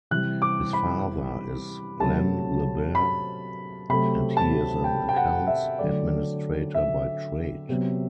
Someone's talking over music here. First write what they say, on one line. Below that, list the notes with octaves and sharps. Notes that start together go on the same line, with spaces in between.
His father is Len Le Ber and he is an accounts administrator by trade.
C3 E3 G3 F#6
D6
B5
C3 F#3 A3 A5
B5
C3 F#3 A3 B5
A5
G5
G5
F#5
E5
D3 F#3 A3 D5
E5
C3 F#3 B3